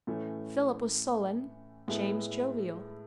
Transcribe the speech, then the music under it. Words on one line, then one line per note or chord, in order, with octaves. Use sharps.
Philip was sullen, James jovial.
A2 E3 A3 C#4
A2 G#3 B3 E4 A4